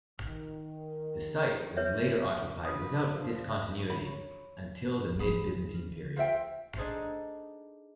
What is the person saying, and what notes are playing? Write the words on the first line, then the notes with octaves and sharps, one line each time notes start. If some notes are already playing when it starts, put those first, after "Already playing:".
The site was later occupied without discontinuity until the mid Byzantine period.
D#3
B4 C#5 E5
D4 B4 D#6
F3
C#5 B5
G#4 B5
F4 C5 E5 G5
D4 D#4 G#4 A4 C5